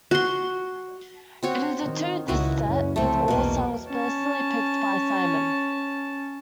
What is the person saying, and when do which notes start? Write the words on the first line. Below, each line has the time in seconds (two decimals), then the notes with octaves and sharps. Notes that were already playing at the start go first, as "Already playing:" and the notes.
It is a two-disc set with all the songs personally picked by Simon.
0.11 F#4 C6
1.43 C4 F#4 C#5
1.82 D#3
2.28 C#2 D#3 E4 F#4 B4
2.65 F#1 C#4
2.96 C#2 C3 F3 A3 C4
3.28 B1 E2 B2 A#3
3.88 C#4 A5